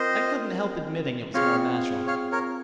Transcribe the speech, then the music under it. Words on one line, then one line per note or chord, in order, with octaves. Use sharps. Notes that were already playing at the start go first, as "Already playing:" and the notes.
I couldn't help admitting it was more natural.
Already playing: C4 F4 A#4 C5 D#5
C4 F4 G#4 C#5 F5
C#5 F5
A#4 C#5